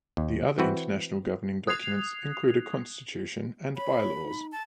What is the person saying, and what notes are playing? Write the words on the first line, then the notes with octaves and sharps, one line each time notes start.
The other international governing documents include a Constitution and By-Laws.
D#2
E3 C4 F#4 B4
D#6 F#6 G#6 C7 F7
C#5 B5
D#4
A5